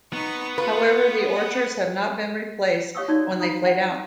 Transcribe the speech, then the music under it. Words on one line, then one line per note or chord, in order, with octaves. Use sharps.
However, the orchards have not been replaced when they played out.
B3 D#4 C#6
F4 B4 C#6
F#5
G4 C#5 F5 C#6 D#6 E6
D#4 F#4 C#5 D5
A#5
F#4 A#5 B5 D#6
F#5